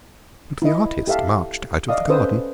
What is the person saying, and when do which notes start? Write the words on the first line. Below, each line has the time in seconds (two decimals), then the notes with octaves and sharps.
But the artist marched out of the garden.
0.62 E4 D#5
1.07 G4 A4 E5 F5 A5
1.89 D5 D#5 F5 D#6
2.09 C#4 A4 B4 C5 D#6 E6